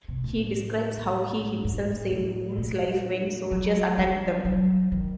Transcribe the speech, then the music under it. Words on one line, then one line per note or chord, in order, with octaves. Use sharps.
He describes how he himself saved Moon's life when soldiers attacked them.
C3
A2
A2
A2
A#2
F#3
G3
F#3
D#3